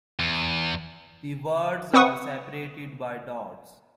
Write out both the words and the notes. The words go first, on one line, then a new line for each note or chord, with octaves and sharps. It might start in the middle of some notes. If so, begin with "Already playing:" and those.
The words are separated by dots.
E2
C4 B4 F#5 C#6 D#6